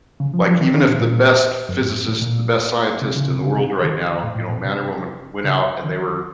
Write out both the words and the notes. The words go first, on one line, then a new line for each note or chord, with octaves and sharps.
like, even if the best physicist, the best scientist in the world right now, you know, man or woman, went out and they were
C#3
F3
F3
D#3
D#3
A#2
A#2
F#2
A2
A2
A#2
C3
C#3
C3
C#3
C3
D#3
A2
A2
A#2
C3
C#3
D#3